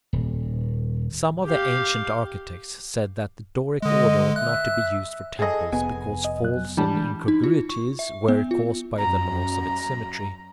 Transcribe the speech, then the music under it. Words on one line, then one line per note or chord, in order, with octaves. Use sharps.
Some of the ancient architects said that the Doric order ought not to be used for temples, because faults and incongruities were caused by the laws of its symmetry.
D#1
G4 F5
D3 G#3 D#5
E5 F#6
G#4 A4 D#5
F1 B3 G#5
D#5
F#3 F#6
E3 G3 G#3 D4 A5
D#4
F4
C#6
E5
B3
F4
F#2 A#5